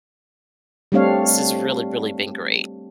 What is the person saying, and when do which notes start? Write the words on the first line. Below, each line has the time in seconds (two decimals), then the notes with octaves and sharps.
this has really, really been great.
0.92 G3 A3 C4 D4 C#5 F5